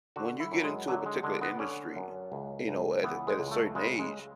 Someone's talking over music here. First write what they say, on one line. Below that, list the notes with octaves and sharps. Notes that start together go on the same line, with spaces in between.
when you get into a particular industry, you know, at a at a certain age,
D3 F#4
E4
F#2
G#3
D3 F#3
G#3
D3 G#3
B3
D3 C#4
F#2
C#2
C#2
E3 B3
G#3
C#2
A3
C#3 G#3
G#3